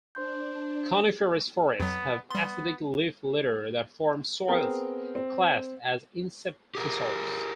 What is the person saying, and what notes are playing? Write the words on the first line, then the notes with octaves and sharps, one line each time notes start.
Coniferous forests have acidic leaf litter that form soils classed as inceptisols.
D4 C5 C6 G6
F2 F#3 B3
G3 B3 C6
B3 C4 G#4 A#4 G5
C4
G4 G#4 A#4